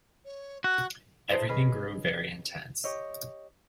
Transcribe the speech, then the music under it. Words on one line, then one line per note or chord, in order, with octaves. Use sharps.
Everything grew very intense.
C#5
F#4 F#6
E4 G#4 C5 A5
C#4 G#4 B4 D#5
G4 C#5 D#5